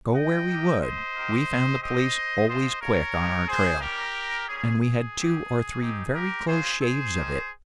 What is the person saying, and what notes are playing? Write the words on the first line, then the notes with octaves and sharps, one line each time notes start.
Go where we would, we found the police always quick on our trail, and we had two or three very close shaves of it.
D#5 G5
A#3 D#4 G4
C5 D#5
A#3 D#4 G4
C4 G4 C5 D#5
G#3 C4 F4 C5 D#5
A#4 C#5
G#3 D#4 G4
G#4 C5
G3 A#3 C#4 G4 A#4
G3 A#3 C#4 G#4
G#4
C4 G4
C4 D#4 G4
G4 A#4
G#3 C#4 F4 G#4 C5
G#4 C5
A#3 D#4 G4